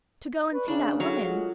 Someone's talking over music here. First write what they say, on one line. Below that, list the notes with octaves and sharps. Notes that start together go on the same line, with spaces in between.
"To go and see that woman."
B4 D5 B5 C#6
C#3 D4 G#4 D5 A#5
F#3 G#4 A4
G#3 F4 A4 F#5